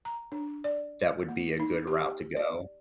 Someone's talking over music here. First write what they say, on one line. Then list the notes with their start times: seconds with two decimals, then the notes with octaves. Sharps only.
that would be a good route to go.
0.05 A#5
0.32 D4
0.64 D5
1.29 A#3
1.60 D#4
1.87 G4
2.37 D5